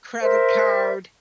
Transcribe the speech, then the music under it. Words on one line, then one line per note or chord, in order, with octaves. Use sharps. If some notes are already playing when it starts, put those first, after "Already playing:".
credit card
A#4 C5 E5